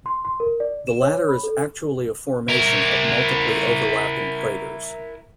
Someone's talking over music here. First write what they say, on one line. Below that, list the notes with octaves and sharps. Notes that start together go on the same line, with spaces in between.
The latter is actually a formation of multiply overlapping craters.
C6
C6
A#4
D5
E7
C#5
B5
A4
E4 A#4